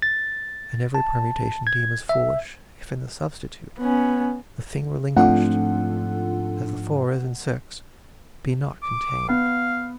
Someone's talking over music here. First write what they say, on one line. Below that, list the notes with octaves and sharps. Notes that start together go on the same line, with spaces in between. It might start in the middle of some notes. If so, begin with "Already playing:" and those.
And every permutation deem as foolish, If in the substitute the thing relinquished, As the four is in six, be not contained.
A6
A5
G#6
E5
B3 C#4
G#2 F3 A3 C4 D4 F4 A4 F#5
D6
B3 F5